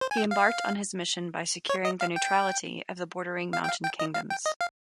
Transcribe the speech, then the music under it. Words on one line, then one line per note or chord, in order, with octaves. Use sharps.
He embarked on his mission by securing the neutrality of the bordering mountain kingdoms.
C5
G#5
G5
F5
C#5
D#5
F5
G5
F5
G5
F5
G5
D#5
F5
G5
D#5
F5